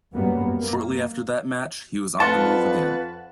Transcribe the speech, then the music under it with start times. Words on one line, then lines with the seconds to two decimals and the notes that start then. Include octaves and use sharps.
Shortly after that match, he was on the move again.
0.13 F#2 G3 A#3 B3
0.57 A#3
2.20 F2 F4 B4 F#5 A5